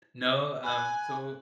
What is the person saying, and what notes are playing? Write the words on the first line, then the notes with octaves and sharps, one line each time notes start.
No, um, so
G#5 B5 F#6